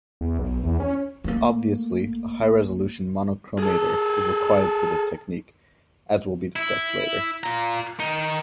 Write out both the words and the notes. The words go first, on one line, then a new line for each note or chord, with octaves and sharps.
Obviously, a high-resolution monochromator is required for this technique, as will be discussed later.
E2
B1
E2
C#4
A3 A#3
G#4 A4
E4
F4 A#5
D#3 D#4